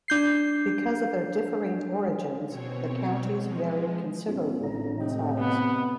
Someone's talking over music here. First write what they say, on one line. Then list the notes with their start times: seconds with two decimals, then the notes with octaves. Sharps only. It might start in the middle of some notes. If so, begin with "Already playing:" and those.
Because of their differing origins the counties varied considerably in size.
0.08 D4 G6 C7
2.48 B2 C4 C#5
3.41 F3 G#3
4.28 G#2 B3 C#4 F4
4.63 G#1 A2 D4 A#5
5.01 C3 D#5 G5
5.39 B3